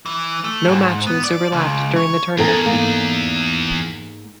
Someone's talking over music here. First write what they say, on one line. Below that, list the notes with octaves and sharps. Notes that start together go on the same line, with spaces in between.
No matches overlapped during the tournament.
E3
A3
G#2
B3
D5
C#2
C#5
E2 A4 A#4 G#5
G#2 A#3